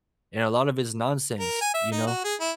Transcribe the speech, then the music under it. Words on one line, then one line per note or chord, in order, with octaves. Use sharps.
And a lot of it is nonsense, you know?
A#4
G#5
E5
D#4
F#4
G#4
E4